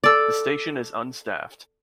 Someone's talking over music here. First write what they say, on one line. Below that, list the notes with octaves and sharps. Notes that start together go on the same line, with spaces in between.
The station is unstaffed.
A4 D5